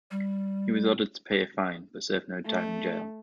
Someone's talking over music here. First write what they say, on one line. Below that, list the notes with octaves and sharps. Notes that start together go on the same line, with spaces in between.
He was ordered to pay a fine, but served no time in jail.
G3
A3